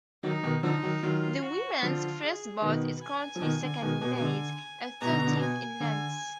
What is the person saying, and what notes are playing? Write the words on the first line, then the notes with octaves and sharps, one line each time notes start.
The women's first boat is currently second in Mays and thirteenth in Lents.
D#3 F#3 D#4
B2 D#3
D3 F3 D#4
D#3 F#3
D#3 F#3 F4
F#4
D3 F3 F4
G#4
B2 D#3 B4
G#5
F3
B2 D#3
D3
B2 D#3
B2
B2
D3
B2 A#5
D3
B2
D3
B2
G#5
D3